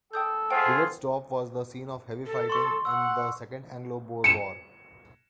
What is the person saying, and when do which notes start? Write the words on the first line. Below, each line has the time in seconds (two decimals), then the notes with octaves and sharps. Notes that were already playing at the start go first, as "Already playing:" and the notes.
Dewetsdorp was the scene of heavy fighting in the Second Anglo-Boer War.
0.13 A4 G5 D#6 G6
0.50 A3 F4 G#4 C5 F#5 G5
2.26 A4
2.50 C6 C#6
2.85 F#5 E6
4.24 C#7 E7